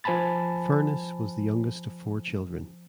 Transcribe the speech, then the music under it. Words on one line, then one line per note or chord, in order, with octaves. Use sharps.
Furness was the youngest of four children.
F3 C5 G#5 A5 B5 A6